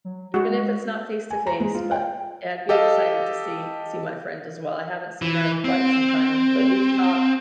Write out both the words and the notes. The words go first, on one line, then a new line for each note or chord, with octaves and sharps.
even if it's not face-to-face, but yeah I'd be excited to see see my friend as well, I haven't seen her in quite some time, but we've talk
F#3
G#3 F#4
G#5
A#5
G#3
F4
G5
G4 A4 D#5 F5
E3
C4